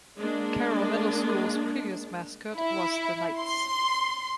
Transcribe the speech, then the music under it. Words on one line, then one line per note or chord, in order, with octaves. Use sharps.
Carroll Middle School's previous mascot was the Knights.
G#3 A#3 D4
E4
C6